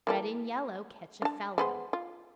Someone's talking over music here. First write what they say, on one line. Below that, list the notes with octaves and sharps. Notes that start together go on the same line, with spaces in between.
Red and yellow, catch a fellow.
E3 A#3 A4
D4 A5
G#3 B3 C5
F4